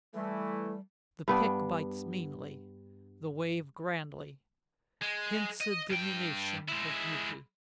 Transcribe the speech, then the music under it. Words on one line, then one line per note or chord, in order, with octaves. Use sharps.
The pick bites meanly, the wave grandly; hence a diminution of beauty.
E3 G3 A3
G2 B3 D4
G#3
D#5
G2 G5
G#3 E4